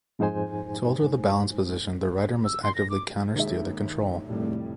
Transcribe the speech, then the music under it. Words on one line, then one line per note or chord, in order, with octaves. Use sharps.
To alter the balance position the rider must actively countersteer the control.
F2 G#2 G#3 D#4 C5 G#5
E6
C6
A#6
D6
D#2 G#3 E5
F1 A2 G3